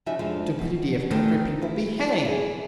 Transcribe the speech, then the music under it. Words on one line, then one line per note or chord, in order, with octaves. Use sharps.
Stupidity of country people be hanged!
C#3 F3 D#4 F#4 E5 G#5
F2 F3 G#3 D4
B2
D#3 E3 A3 C4 D4
E4
E4 G#4